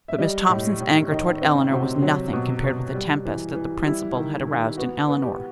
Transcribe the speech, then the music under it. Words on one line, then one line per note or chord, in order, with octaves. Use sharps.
But Miss Thompson's anger toward Eleanor was nothing compared with the tempest that the principal had aroused in Eleanor.
E5
G3 D#5
A2
A2
D#3 D#5
C4 C5
C3 F#4
F#3
B2
B2
G3
E3
E3
G3 E4
D#3
D#3
B3 F#4
B3
G4